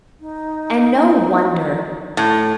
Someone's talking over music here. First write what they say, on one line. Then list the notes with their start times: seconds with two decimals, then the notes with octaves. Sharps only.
And no wonder!
0.21 D#4
2.17 A2